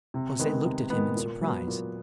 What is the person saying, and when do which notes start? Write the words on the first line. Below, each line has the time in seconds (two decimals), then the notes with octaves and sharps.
Jose looked at him in surprise.
0.14 C3
0.39 D#3 G#3 B3
0.64 C3
0.90 D#3 G#3 B3
1.16 A#2
1.41 F#3 B3
1.67 A#2